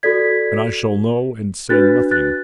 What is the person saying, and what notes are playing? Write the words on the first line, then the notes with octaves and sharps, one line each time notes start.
And I shall know and say nothing.
F#4 A4 D5 G#6 B6
D4 F#4 B4 F#6 A6
F#6 A6